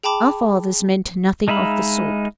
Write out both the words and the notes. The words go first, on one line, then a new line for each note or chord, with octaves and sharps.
Our fathers meant nothing of the sort.
G#4 G5 A5 B5 D6
G#3 D#4 E5 F5 B5